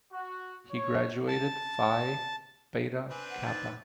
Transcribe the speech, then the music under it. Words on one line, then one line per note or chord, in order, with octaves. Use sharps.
He graduated Phi Beta Kappa.
F#4
C#5
A5
B3
C4 D4 B4 G#5
F#5
D#4 A6